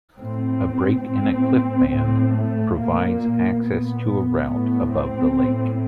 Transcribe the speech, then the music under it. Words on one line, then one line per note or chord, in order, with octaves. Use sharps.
A break in a cliff band provides access to a route above the lake.
A2 C4
A2 C4
A2 C4
A3
A#2 A#3
A#2 B3
A2 B3
C4
A2